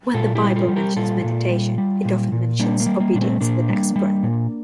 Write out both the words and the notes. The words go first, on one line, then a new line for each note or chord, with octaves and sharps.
When the Bible mentions meditation, it often mentions obedience in the next breath.
A#2 F4 A4
E4 G4
G3
F4 A4
G3
G4 A#4
A#2 F4 A4
A#2
G3
G3
A#2
A#2
G3 A#3 D4
A#3
G3
A#3
A#2 D4
A3 C4
A#2 A#3 D4
G3
G3
A#2